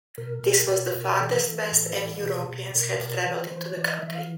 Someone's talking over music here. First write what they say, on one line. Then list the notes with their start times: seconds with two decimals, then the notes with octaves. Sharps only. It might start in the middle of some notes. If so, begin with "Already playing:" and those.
This was the furthest west any Europeans had travelled into the country.
0.18 B2 A#4
0.43 B2
0.69 B2
0.95 B2
1.20 E3 A4
1.46 E3
1.72 A2
1.98 E3
2.23 B2 G#4
2.49 B2
2.75 B2 A#4
3.00 B2
3.26 E3 B4
3.38 C5
3.51 E3 C5
3.64 C#5
3.77 E3 D5
3.90 D#5
4.02 E3 E5
4.15 F5